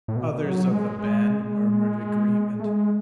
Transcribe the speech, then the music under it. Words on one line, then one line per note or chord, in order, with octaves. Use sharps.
Others of the band murmured agreement.
A2
B2
F#3
G#3
G#3
A3
G#3